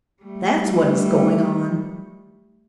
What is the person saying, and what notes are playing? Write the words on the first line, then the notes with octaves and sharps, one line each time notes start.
That's what is going on!
G3 A3